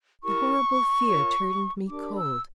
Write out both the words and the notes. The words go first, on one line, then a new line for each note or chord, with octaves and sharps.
A horrible fear turned me cold.
E4 G4 A#4 C#6
F4 A#4 C#5
D4 G4 A#4 D6
E6